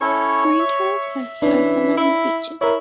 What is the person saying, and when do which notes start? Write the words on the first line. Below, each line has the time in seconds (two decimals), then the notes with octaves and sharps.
Marine turtles nest on some of these beaches.
0.01 C#4 E4 A4 C#5
0.59 E5
1.42 E3 C#4 D4
1.97 E4
2.61 E4 A#4 C#5